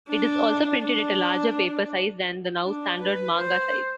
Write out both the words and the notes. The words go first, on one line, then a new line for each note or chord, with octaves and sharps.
It is also printed at a larger paper size than the now-standard manga size.
D4
D4
D4
B4
C5